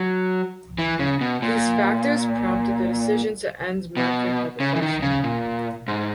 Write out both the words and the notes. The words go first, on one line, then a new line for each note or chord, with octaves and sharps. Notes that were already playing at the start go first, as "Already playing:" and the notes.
These factors prompted the decision to end monthly publication.
Already playing: F#3
E3
C#3
B2
A#2
B2
C#3
E3
D#3
C#3
A#2
G#2